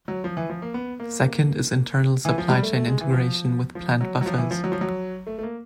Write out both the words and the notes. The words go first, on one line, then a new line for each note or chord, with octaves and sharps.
Second is internal supply chain integration with planned buffers.
F#3
F3
E3
F3
A#3
B3
A#3
E3
F3
G3
A3
A3
G#3
E3
F3
F3
F#3
F#3
F3
E3
F3
F#3
F3
F#3
A3
A3
A#3